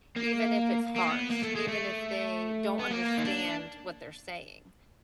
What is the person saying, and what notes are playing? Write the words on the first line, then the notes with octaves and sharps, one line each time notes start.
even if it's harsh, even if they don't understand what they're saying.
A#3
A#3
B3
A#3
A3
G#3
A3
B3
A#3
D#4
D4